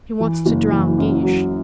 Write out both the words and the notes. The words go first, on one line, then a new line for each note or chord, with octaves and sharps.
"He wants to drown Guiche."
E3
F#1
E3
F#2
F#3